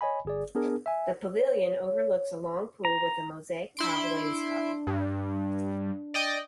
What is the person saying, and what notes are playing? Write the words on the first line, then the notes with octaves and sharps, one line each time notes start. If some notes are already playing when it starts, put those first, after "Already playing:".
The Pavilion overlooks a long pool with mosaic tile wainscoting.
C#5 D#5 G#5 B5
G1 G#4 D5
B3 D4 G#4 A#4
E5 G#5
C#5
A#5
D4 E4 C6 D7
G2
D5 D#5 G5